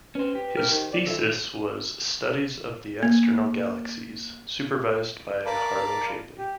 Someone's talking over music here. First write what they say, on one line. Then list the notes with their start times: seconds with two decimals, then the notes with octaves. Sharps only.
His thesis was "Studies of the External Galaxies", supervised by Harlow Shapley.
0.15 C#4 B4 C5
0.35 G4
0.57 A#4 C5
0.71 D#3
0.93 D5
1.06 D#3 F4 A4 E5
3.03 A#3
5.46 A#4 D5 F5 A5 B5 D6
6.38 G4